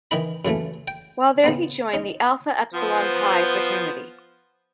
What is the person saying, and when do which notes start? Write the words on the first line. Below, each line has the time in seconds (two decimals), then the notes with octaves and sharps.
While there he joined the Alpha Epsilon Pi fraternity.
0.11 D#3 E3 D#4 B5
0.45 F#2 C#3 E3 A3
0.88 G5
1.44 C#3 B3 C4
1.93 C#4 D#4
2.74 F3 B3 C5